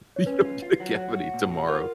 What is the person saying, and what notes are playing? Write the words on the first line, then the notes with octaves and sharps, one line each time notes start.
you don't get a cavity tomorrow.
C#5
C#4 B4
F4
F4
F#3
F#4 C#5
F#4
A#2
F#4
F4 A#4